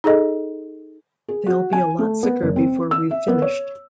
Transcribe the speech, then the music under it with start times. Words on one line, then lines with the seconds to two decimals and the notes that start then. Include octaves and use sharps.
They'll be a lot sicker before we've finished.
0.04 D#4 G#4 A4 D#5
1.28 G#4
1.46 F#4
1.73 G#5
1.99 A3
2.23 B3
2.42 F#1
2.56 C4
2.91 E6
3.11 E5
3.28 B3
3.42 C#5